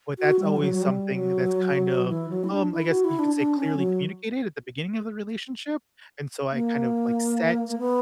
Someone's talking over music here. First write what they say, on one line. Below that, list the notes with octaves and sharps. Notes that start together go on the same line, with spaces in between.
but that's always something that's kind of, um I guess you could say clearly communicated at the beginning of the relationship? And so I kind of, like, set
F#4
G3
E3
F#3
F#3
G3
F#3
E3
F#3
E4
D4
E4
F#4
E4
D4
D4
C#4
F#3
A#3
A#3
B3